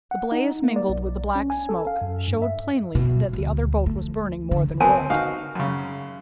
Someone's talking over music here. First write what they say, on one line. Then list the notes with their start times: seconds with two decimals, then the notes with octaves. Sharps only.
The blaze, mingled with the black smoke, showed plainly that the other boat was burning more than wood.
0.11 F#5
0.32 D#4
0.64 A#3
0.76 D5
0.89 B1
1.36 C#4
1.50 G#5
1.69 A4
1.87 F5
2.02 F#2
2.28 G2
2.42 E5
2.95 B2
3.33 D2
3.86 A3
4.51 D3
4.80 B3 C4 A#4 G#5 A5
5.10 D#4 F#4 F5
5.55 F#2 C#3